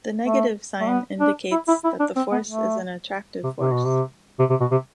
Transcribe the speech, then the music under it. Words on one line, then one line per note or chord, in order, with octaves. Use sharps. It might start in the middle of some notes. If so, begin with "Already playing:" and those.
The negative sign indicates that the force is an attractive force.
A3
A3
B3
D4
E4
E4
E4
D4
C4
B3
A3
C3
C3
B2
C3
C3
C3
B2
C3